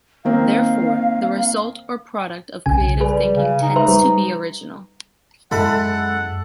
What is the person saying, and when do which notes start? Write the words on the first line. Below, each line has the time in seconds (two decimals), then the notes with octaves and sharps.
Therefore, the result or product of creative thinking tends to be original.
0.25 D#3 A#3 C4 F5
2.66 B1 C#3 G#5
3.00 G3 G#4 B4
3.36 C#3
3.62 D#4
3.76 B4 C5 E5
3.88 G3
5.51 F#2 G#3 E4 A4 F#5 B5